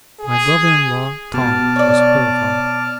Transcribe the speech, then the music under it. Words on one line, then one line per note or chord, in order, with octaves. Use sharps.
My brother-in-law, Tom, was her father.'
G#4
B2 A5 D6 F6
C#5 D5